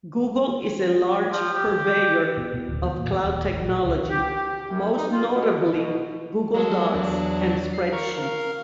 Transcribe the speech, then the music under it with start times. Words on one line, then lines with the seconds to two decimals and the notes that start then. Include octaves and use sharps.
Google is a large purveyor of cloud technology, most notably Google Docs and Spreadsheets.
1.31 F3
1.54 G4
2.37 B2
2.54 B2
2.69 D1
2.82 E2
3.00 A#2
3.12 E2
3.24 D#1
3.45 A1
3.64 A#1
3.85 C#2
4.09 G4
4.35 G4
4.67 F#2
4.97 D#4
5.12 F4
5.31 B2
5.69 B2
6.54 F#3 G#3 A4
6.94 E2 F#3 D4
7.73 C7
7.93 A#4 F5 C#6
8.18 A#4 F5